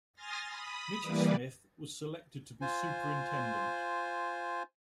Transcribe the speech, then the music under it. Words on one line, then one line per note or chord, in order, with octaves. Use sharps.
Michie Smith was selected to be superintendent.
G#5 C6 D#6 F6 A6 A#6
B5 D#6
E3 G3 A#3 B4 D5
F4 C5 G#5